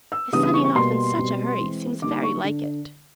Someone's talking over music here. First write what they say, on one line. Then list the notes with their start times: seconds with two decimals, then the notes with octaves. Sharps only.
His setting off in such a hurry seems very like it.
0.12 E6
0.33 C#3 E3 G3 B3 D4 D#6
0.43 D#6
0.54 C#6
0.64 C#6
0.75 B2 G3 A#3 C6
1.17 B2 G3 C4
1.60 E3 G#3 C4
2.02 D3 G3 A#3 D#4 D6
2.23 C#6
2.44 D3